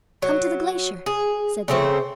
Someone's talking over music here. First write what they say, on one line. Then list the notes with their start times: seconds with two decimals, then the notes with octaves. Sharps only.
"Come to the glacier," said Leo.
0.22 F#3
1.06 G#4
1.68 C#3 A3 C4